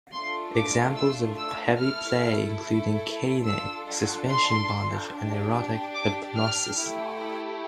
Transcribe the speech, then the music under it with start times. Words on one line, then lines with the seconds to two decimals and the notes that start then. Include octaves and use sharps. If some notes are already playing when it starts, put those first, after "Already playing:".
Examples of heavy play includes caning, suspension bondage, and erotic hypnosis.
0.13 A3 D4 F4 C6
0.55 D6
0.96 E6
1.38 E6
1.79 A3 E4 A4 F6
3.45 D4 F4 A4 E6
4.28 C6
5.11 D4 G4
5.95 D6
6.36 F6
6.78 A3 E4 G4